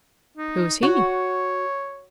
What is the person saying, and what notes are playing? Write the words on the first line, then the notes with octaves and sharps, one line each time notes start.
"Who is he?"
D#4
F#4 C#5